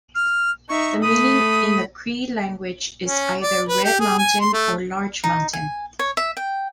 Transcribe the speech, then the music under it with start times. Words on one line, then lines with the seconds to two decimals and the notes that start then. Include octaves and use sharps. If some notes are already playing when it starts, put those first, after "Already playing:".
The meaning in the Cree language is either "red mountain" or "large mountain".
0.15 F6
0.69 D#4 E5 C#6
1.02 A3 B5 D#6
3.07 C#4
3.41 D5
3.68 B4
3.84 G4
4.00 G#4
4.18 G#5
4.40 C6
4.53 A3
5.24 D#4
5.53 G#5
5.99 C#5
6.17 E5
6.37 G5